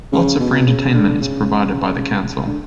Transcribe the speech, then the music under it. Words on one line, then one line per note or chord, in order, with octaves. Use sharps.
Lots of free entertainment is provided by the council.
C#3
B2
C#3
D3
C#3
D3